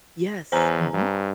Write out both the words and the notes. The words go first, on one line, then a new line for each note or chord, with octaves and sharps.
Yes, mhm.
E2 C5 G#5 A#5
G2